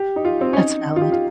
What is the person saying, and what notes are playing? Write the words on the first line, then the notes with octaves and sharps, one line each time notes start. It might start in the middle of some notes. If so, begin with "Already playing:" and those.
That's valid.
Already playing: G4
D#4
F4
C4
C#4
D#4
F4
G4
F4